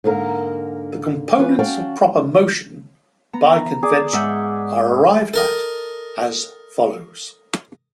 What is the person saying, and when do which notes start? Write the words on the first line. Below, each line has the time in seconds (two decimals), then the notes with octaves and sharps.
The components of proper motion by convention are arrived at as follows.
0.04 G#2 D3 A#3 A#4
1.38 E3 C#4 F4 B4 D5
1.59 C#4 F#4 D5 F5 G5 A5
3.33 B3 A#5
3.83 G#4 D5
4.13 G#2 E5 F#5 G6
5.34 A4 A#4 D#5